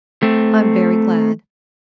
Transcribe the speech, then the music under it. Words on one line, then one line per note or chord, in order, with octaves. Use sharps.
"I'm very glad."
A3 C4